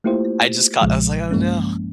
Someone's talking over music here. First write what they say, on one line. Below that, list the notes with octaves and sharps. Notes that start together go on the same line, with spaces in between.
I just got I was like, "Oh no."
A3 A#3 E4 F4 G4 C5
B1 A#2 C#3 F3 G#3
G2 F3 G#3 A#3 C#4